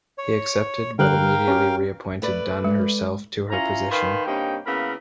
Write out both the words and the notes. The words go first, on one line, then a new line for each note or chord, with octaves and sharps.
He accepted but immediately reappointed Dunn herself to her position.
C#5
D3 G3 A#4 F5 G5 F#6
C#4 G4
A3 B4 D5
G#3
C#4 E4 F4 A#5
D#3 B4 F5 G#5 B5 C6
G2 C3 A#3 C#4 D#4 G5
C#3 A#3 B3 E4 A#4 B5